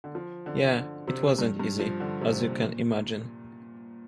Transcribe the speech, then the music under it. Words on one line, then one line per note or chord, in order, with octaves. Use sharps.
Yeah - it wasn't easy, as you can imagine.
D3
F3
D3
D3
C3
G2
G2
F3
D3
C3
A#2
A#2